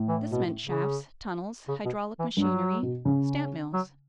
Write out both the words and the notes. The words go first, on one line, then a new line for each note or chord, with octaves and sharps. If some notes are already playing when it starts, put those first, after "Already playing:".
This meant shafts, tunnels, hydraulic machinery, stamp-mills.
Already playing: A2
E3
B2
C#3
C#3
B2
E3
G2 F#3
B2
C#3
F#3